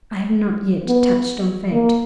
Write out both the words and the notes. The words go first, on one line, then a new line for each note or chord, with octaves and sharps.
I have not yet touched on fact.
B3
A#3